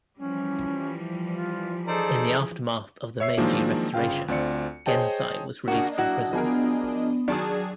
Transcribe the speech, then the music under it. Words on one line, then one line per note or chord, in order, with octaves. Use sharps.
In the aftermath of the Meiji Restoration, Gensai was released from prison.
E3 F3 G3 C#4
F4
D#4 G#4 A4 C5 D5
C#5 E5 E6 C7
D#3 F3 F#3 G#3 A#3 D4
G1 C#3 F4 F5 G5
D2 C4 F4 D5 C#7
G#4 C5 C#5 D#5 G5 A5
C#3 A#3 D4 F#4 D#5
F#3 E4 F#4
F3 B3 G#4 A#4
D#3 F#3 D4 G#4 A5 D#6 G#6